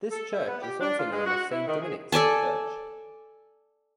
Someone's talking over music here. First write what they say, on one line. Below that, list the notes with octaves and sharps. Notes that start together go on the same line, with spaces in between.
This church is also known as Saint Dominic's Church.
A4
E5
B3
G4
D4
F4
G#3
F#4
E4
D#3
G#4
A4 D5 G#5 A5